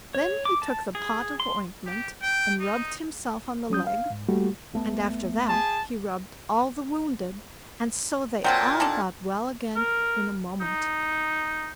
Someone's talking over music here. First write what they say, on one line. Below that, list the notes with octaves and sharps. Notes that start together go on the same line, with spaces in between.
Then he took the pot of ointment and rubbed himself on the leg, and after that he rubbed all the wounded, and so they all got well again in a moment.
C#5
D6
A5
G#4
C6
G4
G5
D#4
F#3 C#4 D#6 G6
F5
G#2
G3 A3 A#3 F#4 G4
C2 A3 B3
G#4 A5
A#2 F#3 C4 A4 G5
D#3 D4 A4 D5
A#4
D#4